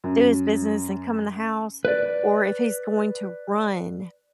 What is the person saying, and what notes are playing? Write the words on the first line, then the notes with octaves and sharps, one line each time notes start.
do his business and come in the house or if he's going to run
F#2
B4 D5